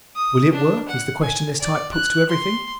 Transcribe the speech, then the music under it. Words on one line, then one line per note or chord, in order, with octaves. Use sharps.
"Will it work?" is the question this type puts to everything.
D#6
D4
F#5
G#5
D5
F#6
C6